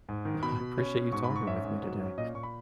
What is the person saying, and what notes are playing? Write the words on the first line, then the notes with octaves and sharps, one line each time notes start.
I appreciate you talking with me today.
G#2
D#3
B2 B5
B2
C#4
B2
G#2 C#6
B5
G#2
C#6
C#4 E5
G#2
F#3
C#4
A#2 D#5
A#2 C#6
B5